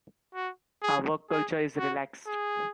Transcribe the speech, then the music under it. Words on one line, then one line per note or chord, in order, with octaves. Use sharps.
Our work culture is relaxed.
F#4
G#4
G#4
F#4
G#4